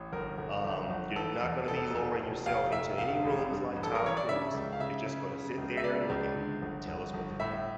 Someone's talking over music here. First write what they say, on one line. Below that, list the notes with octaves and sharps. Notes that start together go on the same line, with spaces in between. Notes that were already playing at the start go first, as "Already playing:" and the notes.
um, you're not gonna be lowering yourself into any rooms like Tom Cruise, you're just gonna sit there and look at 'em and tell us what they're think"
Already playing: A1
G1 A#4
G1
G1
G1
E3 A4
E2
F1 A4
F1
F1
F1 F5
F1 E5
F1 F5
A1
G2
A1
A4
A#4
E3 C#5
D5
C#3 E5
C#2
F5
C#3 E5
C#3
C#3
C#2
E5
C#3 D5
C#2
D3
G1
G1
G1
A2 E5